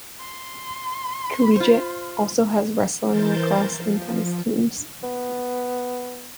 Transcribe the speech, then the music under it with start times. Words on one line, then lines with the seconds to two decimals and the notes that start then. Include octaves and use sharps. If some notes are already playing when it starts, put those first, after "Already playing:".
Collegiate also has wrestling, lacrosse, and tennis teams.
0.20 C6
1.56 F4 C5
3.06 E3 A#4 C5 G6 A6
3.73 F3
5.03 B3